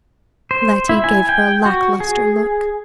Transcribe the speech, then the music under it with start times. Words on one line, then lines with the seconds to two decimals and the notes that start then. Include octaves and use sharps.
Letty gave her a lack-luster look.
0.51 C5
0.89 E4
1.04 G#5
1.29 G5
1.65 F#4
2.00 G#4